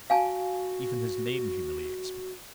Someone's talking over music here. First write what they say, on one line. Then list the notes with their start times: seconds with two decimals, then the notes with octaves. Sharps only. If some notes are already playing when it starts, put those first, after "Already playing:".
Even his name humiliates me.
0.10 F#4 F5 G#5 A5